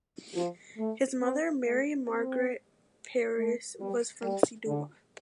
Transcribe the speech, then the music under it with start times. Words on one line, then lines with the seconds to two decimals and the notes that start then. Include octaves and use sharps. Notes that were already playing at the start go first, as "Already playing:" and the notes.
His mother Mary Margaret Peiris was from Seeduwa.
0.34 F3
0.77 A3
1.20 C4
1.64 A3
2.06 C4
3.37 A3
3.80 G3
4.23 G3
4.66 D3